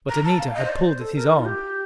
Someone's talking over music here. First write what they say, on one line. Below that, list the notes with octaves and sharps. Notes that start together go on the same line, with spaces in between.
But Anita had pulled at his arm.
A#5
A5
F5
D#5
C5
D5
C5
A4
A#4
D#4
F4
G4